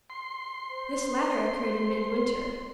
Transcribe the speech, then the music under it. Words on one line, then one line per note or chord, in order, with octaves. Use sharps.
This latter occurred in midwinter.
C6
C5